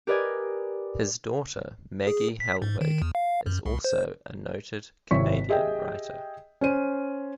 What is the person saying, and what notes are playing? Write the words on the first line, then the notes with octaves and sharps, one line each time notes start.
His daughter, Maggie Helwig, is also a noted Canadian writer.
G4 A#4 B4 D5 D#5 G#5
G#4
B6
G#2
D#3
E2
F5
F#2
C2
C5
G#1 C3 E4 C#5 C#6 B6
G4 G#4 D#5 E5 G5
C#4 C5 D#7